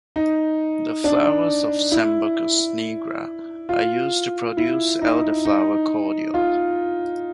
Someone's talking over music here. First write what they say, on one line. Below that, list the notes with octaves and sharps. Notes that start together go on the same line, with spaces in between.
The flowers of "Sambucus nigra" are used to produce elderflower cordial.
D#4
D4
E4
F4
E4
D#4
D#4
F4